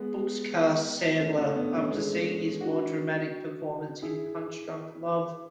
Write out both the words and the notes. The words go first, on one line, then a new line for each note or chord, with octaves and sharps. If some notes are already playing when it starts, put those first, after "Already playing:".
Brooks cast Sandler after seeing his more dramatic performance in "Punch-Drunk Love".
Already playing: G#3 B3
A3 C#4
A3 C#4
B3 D4
A3 C#4
G#3 B3
D4 F#4
E4 G#4